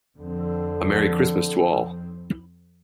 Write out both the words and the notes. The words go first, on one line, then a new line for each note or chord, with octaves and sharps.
A Merry Christmas to all!
F2 D3 C4